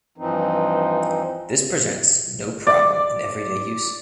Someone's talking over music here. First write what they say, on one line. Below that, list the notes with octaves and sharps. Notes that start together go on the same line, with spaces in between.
This presents no problem in everyday use.
G2 E3 F3 C4 D#4
D5